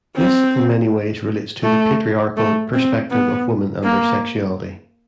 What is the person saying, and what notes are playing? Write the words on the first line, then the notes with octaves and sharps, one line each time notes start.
This, in many ways relates to the patriarchal perspective of women and their sexuality.
C4
A3
A3
C4
B3
A#3